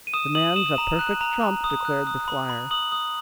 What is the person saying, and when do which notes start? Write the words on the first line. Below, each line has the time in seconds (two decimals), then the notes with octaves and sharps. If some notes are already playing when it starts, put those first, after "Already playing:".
"The man's a perfect trump," declared the squire.
0.07 D#7
0.14 D#6 E7
0.35 D#6 F#7
0.56 D#6 E7
0.77 A#5 E7
0.99 F#6
1.21 A#5
1.42 A#5
1.64 D#6
1.85 F#6
2.07 D#6
2.28 B5
2.49 B5
2.71 D#6 F#7
2.92 D#6